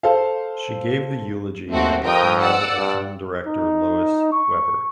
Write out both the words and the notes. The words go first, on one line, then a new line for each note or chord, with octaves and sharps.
She gave the eulogy at the funeral of film director Lois Weber.
A4 C5 F5
D#2 A3 C4 F#4
F2 A#4 G5 D#6
D5 F#5 E6
G2
D#4
C#6